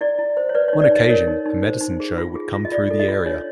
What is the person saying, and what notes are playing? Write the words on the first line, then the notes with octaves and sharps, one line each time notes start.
On occasion, a medicine show would come through the area.
E4 D5
E4
C5
C#5
B4 D5
D#4 C#5
D5
D#4 D#5
A#4 C#5
D#4
D#4
C5
D#4
G#4
F4
G#4
F4
D#5
F4 D5
A4
D#5
F4
D4 C#5